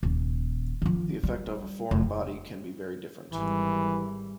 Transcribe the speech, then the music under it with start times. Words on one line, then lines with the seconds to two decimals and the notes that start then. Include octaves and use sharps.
The effect of a foreign body can be very different.
0.03 D#1
0.82 D#3 F3
1.23 G3
1.91 F1
3.32 G#1 E3 G3